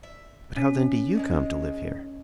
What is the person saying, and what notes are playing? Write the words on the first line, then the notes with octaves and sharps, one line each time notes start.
"But how then do you come to live here?"
E5
C#4
D#3 F#3 G#3